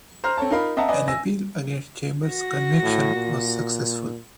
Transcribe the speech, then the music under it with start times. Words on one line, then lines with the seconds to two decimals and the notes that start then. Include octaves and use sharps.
An appeal against Chambers' conviction was successful.
0.24 C5 A#5 F6
0.37 C4 A4 C#5 A5
0.50 D#4 F4 A#4 F5 B5
0.77 C4 D#5 E5 F#5 A5 A#5
0.88 B4 D5 D#5 G#5
1.08 G#5 E6 A#6
2.28 F#4 A#6
2.83 A2
3.15 A#2